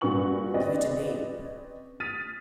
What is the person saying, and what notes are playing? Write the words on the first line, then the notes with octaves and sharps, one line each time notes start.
Give it a name.
G2 A#2 F#4 B4 C#6 F#7
C4 C#4 B4 D5 D#5
D#6 F6 A6 B6 D#7